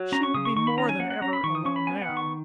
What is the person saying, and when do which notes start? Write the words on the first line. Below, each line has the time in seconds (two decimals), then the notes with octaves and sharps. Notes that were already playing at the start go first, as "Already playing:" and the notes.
She would be more than ever alone now.
Already playing: F#3
0.12 C#4 A#5
0.23 C#6
0.34 C#3 D#6
0.45 C#6
0.56 D#3 C#6
0.67 B5
0.78 C#4 A#5
0.89 G#5
1.00 A#3 F#5
1.10 F#5
1.22 C#4 A#5
1.33 B5
1.43 D#3 C#6
1.55 D#6
1.65 C#4 C#6
1.76 B5
1.87 B3 G#5
2.02 F#5
2.09 D#3
2.17 C#6